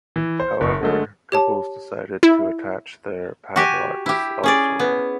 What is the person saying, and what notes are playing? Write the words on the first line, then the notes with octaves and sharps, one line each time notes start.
However, couples decided to attach their padlocks elsewhere.
E3
C5
F#1 C#6
D3 G#3 A3
G4 C#5 A5
E4
F#4 G4 G#5
E4 G4
C#4 G#4 D5
B3